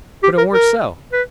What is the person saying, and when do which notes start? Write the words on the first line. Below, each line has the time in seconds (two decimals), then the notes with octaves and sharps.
But it warn't so.
0.23 G4
0.38 A#4
0.53 A#4
1.13 B4